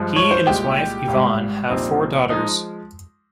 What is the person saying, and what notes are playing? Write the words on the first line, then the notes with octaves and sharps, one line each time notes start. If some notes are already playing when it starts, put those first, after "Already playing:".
He and his wife Yvonne have four daughters.
Already playing: G2 F3 G#3
C#5
C5
C2 A#2 G#3 G4
G#1 G#2 G3
A#1 A#2 G3 C4 D#4
F3 G#3 D#4